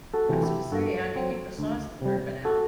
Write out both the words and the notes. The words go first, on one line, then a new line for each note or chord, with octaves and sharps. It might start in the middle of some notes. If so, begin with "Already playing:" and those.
I was gonna say, how do you keep the sauce from dripping out?
F#4 A4
C3 E3 A3 C4
E4 G4
G2 F#4 A4
F#3 C4
D2
C3 G3
F#4 A4